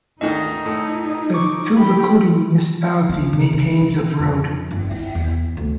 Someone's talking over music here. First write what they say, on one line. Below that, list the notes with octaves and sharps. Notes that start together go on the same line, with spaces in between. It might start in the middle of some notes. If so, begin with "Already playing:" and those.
The Thuvakudi municipality maintains of road.
D2 G#2 D#3 D#4 D#5
A2
C#6 D6
G4 B5
D4
C#3
D#4
C#3
F2
G1
E4
E2
D2